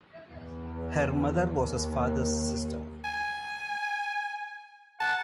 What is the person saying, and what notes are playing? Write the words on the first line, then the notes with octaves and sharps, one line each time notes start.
Her mother was his father's sister.
E2
D#2
G#5
F#5 A5